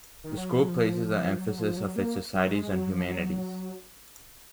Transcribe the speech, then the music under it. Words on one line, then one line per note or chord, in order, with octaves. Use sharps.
The school places an emphasis of its societies on humanities.
D#3
F#3
F3
F#3
F3
F#3
F3
F#3
A#3
F#3
G#3
F#3
F3
F#3